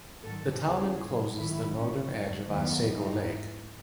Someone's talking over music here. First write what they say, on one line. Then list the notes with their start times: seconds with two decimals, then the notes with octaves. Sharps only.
The town encloses the northern end of Otsego Lake.
0.23 G#2 D#3 F#3 A4
0.61 E2 C#3 E3 G#4
1.00 G#2 F#3
1.37 G#2 D#3 F#3 E4
1.75 A2 E3 C#4
2.13 G#2 F#3 A3
2.51 E2 D#3 F#3 B3
2.89 G#2 E3 D#4